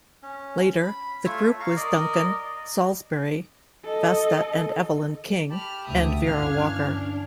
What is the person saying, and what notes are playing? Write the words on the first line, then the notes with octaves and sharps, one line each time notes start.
Later, the group was Duncan, Saulsberry, Vesta and Evelyn King, and Vera Walker.
C#4
B5
A3 F4 C#5 E5
F5 A#5 C#6
A#4 D5 D#5
A4 D#5
G4 A5 B5 F6
D2 E5 D#6
G1 G2 E3 C#4 D4 F5 F6 G#6
D4